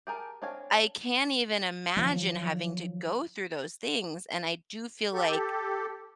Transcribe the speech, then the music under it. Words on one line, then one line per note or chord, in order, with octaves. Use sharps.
I can't even imagine having to go through those things, and I do feel like
G4 G#4 A#4 A5
C4 D4 C#5 F5 G#5
D#3 F3 F#3
G4 A4